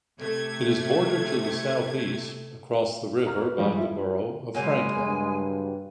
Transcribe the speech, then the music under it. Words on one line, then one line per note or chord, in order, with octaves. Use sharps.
It is bordered to the southeast, across the river, by the borough of Franklin.
C3 A3 G#6
A#5 F6
B4
F3 G3 G#3
E4 F4
C#3 F#3 G#3 A#3 G#5
G2